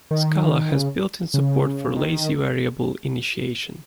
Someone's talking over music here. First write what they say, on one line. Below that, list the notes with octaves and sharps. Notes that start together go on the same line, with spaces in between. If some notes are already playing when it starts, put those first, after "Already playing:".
Scala has built-in support for lazy variable initiation.
D#3
C#3
C#3
D#3